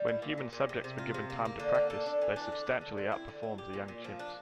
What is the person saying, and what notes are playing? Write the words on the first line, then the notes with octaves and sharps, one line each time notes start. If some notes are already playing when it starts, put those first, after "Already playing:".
When human subjects were given time to practice, they substantially outperformed the young chimps.
Already playing: G3
E4
A#2
A#2
A#2
C3
C3
F4
C3
A#3
A#3
D3
A#3
A4
D4
E3
D4
D3
D3
D3
C4
E4
D3
E4
G4
A#2
A#2
F3
D4